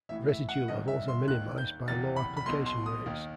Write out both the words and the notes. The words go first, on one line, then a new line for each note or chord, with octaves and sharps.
Residue levels are minimized by low application rates.
A1 A2 E3 E5
E5
F#5
G1 G2 D#3 D#5
E5
C6
D#2 D#3 F#6
G6
F#1 E2 C3 A6
B5
B5
B1 B2 C6
C6
D#6
D#2 D#3